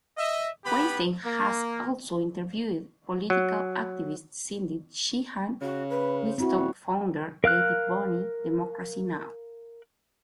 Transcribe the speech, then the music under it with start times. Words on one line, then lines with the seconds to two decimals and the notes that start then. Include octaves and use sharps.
Weinstein has also interviewed political activist Cindy Sheehan, Wigstock founder Lady Bunny, Democracy Now!
0.18 D#5 E5
0.65 B3 G4 B4 B5
1.24 A#3
3.30 F#3
5.61 C#3 F#4
5.89 B4
6.25 C5
6.38 C4 E4 F#4 B5
6.55 D#1
7.44 A#4 F5 F6 F#6